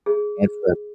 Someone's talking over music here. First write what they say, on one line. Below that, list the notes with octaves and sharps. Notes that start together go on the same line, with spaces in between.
and for
G#4